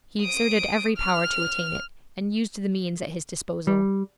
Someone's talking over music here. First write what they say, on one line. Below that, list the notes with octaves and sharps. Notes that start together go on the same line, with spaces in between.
He exerted every power to attain it, and used the means at his disposal.
D#6 D7
F6
G3